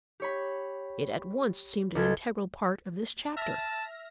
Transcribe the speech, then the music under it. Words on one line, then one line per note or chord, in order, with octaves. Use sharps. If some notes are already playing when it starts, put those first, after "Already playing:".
It at once seemed an integral part of this chapter.
G4 C#5 B5
C#2 A4 G#6
E5 A5 F6 A#6